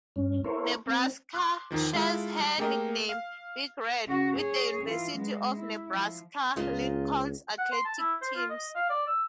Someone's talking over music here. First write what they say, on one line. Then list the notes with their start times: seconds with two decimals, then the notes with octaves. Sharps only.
"Nebraska" shares her nickname, "Big Red", with the University of Nebraska-Lincoln's athletic teams.
0.16 G2 C#4
0.44 B3 E4 A4 A#4 C5 C#5
0.86 C4
1.34 C6 D6 F#6
1.71 E2 D#3 F3
1.93 G#3 E4 F4 A4
2.40 G3
2.58 A3 A#3 G4 G#4 A#4 D#5
3.09 F5
4.07 C#3 F#4
4.36 G#4 C#5
4.85 E3 F4
5.17 G#3 B3
5.54 E4
5.93 F3
6.56 C#2 A#2 F4 D#5
7.58 F#5
7.72 C6
7.85 A5
7.99 E4
8.21 C5
8.36 F4
8.50 D#5
8.75 F5
8.89 D5
9.07 E6